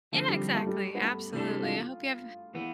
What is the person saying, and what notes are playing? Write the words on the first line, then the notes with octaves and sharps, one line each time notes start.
Yeah, exactly. Absolutely. I hope you have
D3 F3 A3 C4
G3
G3
A3
G3
B3
A3
C3 E3 G3 D4 A4
F4
E3 B3